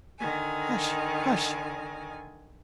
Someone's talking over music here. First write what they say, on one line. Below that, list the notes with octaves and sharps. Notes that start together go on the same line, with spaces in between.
'Hush! hush!
D3 D#3 G#5